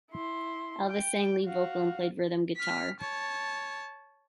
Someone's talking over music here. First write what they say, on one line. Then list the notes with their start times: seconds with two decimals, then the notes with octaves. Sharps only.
Elvis sang lead vocal, and played rhythm guitar.
0.12 E4 C6
0.87 G5
1.46 F#4 F5
2.57 F6 B6
3.00 C#5 A5